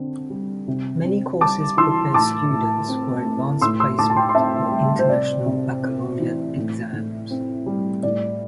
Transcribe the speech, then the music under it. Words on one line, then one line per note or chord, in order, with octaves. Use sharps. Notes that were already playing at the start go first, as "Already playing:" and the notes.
Many courses prepare students for Advanced Placement or International Baccalaureate Exams.
Already playing: D3 C4
G3
C3
C4
G3 A5 D6
E3 C6 E6
A2 A5 D6
A2
C4
A3
A2 C6 E6
C6 E6
A2 A5 D6
A5
G5 C6
C6
C4 E5 A5
G3
C5
C3 D5
C3
C4
E3
A2
A2
C4
G3
A2 D5